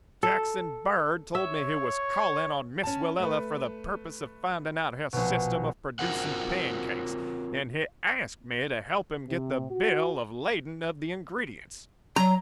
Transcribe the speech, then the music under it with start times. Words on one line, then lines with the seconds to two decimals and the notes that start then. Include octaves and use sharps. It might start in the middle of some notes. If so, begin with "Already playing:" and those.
Jackson Bird told me he was calling on Miss Willella for the purpose of finding out her system of producing pancakes, and he asked me to help him get the bill of lading of the ingredients.
0.23 A4
1.35 C#5 E5
2.83 C#4 A5
3.19 A3 B4
5.13 A#1 B2
5.99 C4 F4 F#4 A#4 C5 F#5
9.27 C3
9.70 F#4
12.16 F#3 A#5